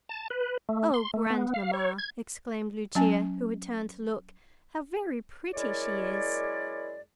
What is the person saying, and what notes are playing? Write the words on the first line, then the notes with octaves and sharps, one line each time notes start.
"O grandmamma!" exclaimed Lucia, who had turned to look, "how very pretty she is!"
A5
B4
A3
C6
A3
B3
F5
C#5
G#6
F#3 C#4 G#5
F#2 G#3 E4 A#4 C#5 D5